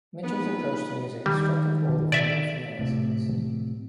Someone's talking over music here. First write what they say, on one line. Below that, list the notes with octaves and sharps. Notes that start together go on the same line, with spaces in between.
Mitchell's approach to music struck a chord with many female listeners.
A#1 B3 D#4 B4
D#3 G3
D5 E5
A2 C3